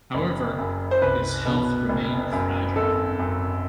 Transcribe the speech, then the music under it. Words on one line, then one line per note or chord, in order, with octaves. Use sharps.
However, his health remained fragile.
F#1
F#2
C5
C2 B4
B2
F#1
F#2
G#1 A4
F#2